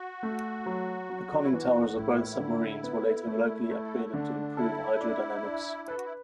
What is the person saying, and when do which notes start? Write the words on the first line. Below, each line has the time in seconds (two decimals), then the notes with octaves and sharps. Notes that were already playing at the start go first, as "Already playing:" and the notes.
The conning towers of both submarines were later locally upgraded to improve hydrodynamics.
Already playing: F#4
0.23 A3
0.66 F#3
1.10 F#3
1.43 E4
1.53 E3 F#4
1.96 A2 E4
2.40 D3
2.83 B3
3.27 A3
3.71 A3
3.85 A4
3.94 F#4
4.04 E4
4.13 D3 D4
4.57 E4 A4
5.00 D4
5.44 D4
5.88 A4 B4
5.97 F#4
6.05 E4